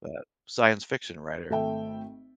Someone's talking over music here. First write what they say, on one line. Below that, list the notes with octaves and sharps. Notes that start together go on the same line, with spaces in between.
the science fiction writer,
G#1 A3 A4 E5 G5